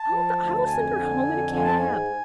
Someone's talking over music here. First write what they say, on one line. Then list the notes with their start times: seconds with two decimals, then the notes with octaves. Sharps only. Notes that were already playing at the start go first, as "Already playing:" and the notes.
'Oh, but I will send her home in a cab.
Already playing: A5
0.10 F3
0.39 D2
0.66 F2 G#5
0.95 D3
1.24 F2
1.52 F3 G#5
1.63 A5
1.74 G#5
1.81 G#2